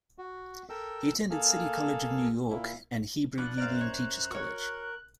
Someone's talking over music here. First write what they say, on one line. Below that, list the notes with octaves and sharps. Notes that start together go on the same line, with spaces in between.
He attended City College of New York and Hebrew Union Teachers College.
F#4
A4 A#4 G5 E6
A#3 G#4 A4 F5
A#2 A#3 E4
F3 B3 D4 F#6
F#2 C5 D5 F5 A#5
C#5
F#4 A#4 C#5